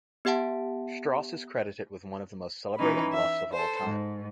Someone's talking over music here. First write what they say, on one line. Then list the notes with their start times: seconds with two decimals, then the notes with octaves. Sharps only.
Straus is credited with one of the most celebrated bluffs of all time.
0.25 B3 G4 E5 F#5 A5
2.77 E3 C#4 D#4 B5
3.13 E5
3.53 A4 C5
3.82 G#2